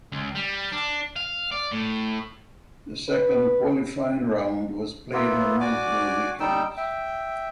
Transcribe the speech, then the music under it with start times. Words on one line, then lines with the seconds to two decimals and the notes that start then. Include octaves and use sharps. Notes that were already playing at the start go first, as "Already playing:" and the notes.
The second qualifying round was played on multiple weekends.
0.12 C#2
0.35 G3
0.72 D4
1.16 F5
1.52 D5
1.72 A2
3.08 B4
5.13 A#3 B3 E4 F4
5.61 F#4 D5 G#5 D6
6.40 G3 D#4 G5 E6
6.77 E5 G5